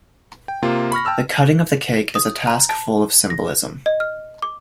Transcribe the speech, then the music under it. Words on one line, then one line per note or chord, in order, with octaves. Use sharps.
The cutting of the cake is a task full of symbolism.
G5
C3 A#3 F4
B5 C#6 F6 A#6
G5 A5 E6 F6
D#6
A#5
A5
A#6
D#5
F6
D6